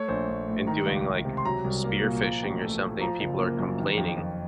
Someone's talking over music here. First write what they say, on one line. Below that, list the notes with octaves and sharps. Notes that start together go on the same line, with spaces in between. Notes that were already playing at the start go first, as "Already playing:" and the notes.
and doing like, spearfishing or something, people are complaining.
Already playing: A3 C#5
A#1 C5
A#1
A2
D#3 A#5
C#2
C#2
C3
C6
F#3 A#5
C2
A#3
A#2
F3
A1
A3
A2
F3 A#5
F#1
A#3
F#2
D#3
F2
F2